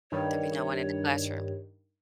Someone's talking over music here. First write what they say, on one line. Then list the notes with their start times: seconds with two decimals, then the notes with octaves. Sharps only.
there'll be no one in the classroom.
0.12 G2 D#3 G3 C#5